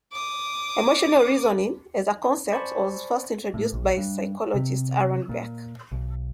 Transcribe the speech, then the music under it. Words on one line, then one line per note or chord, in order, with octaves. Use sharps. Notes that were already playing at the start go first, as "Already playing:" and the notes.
Emotional reasoning, as a concept, was first introduced by psychologist Aaron Beck.
D6 D#6
C5 D5 G#5 A5 B5 C#6
A2
A#1
G2
C3
A#2
B1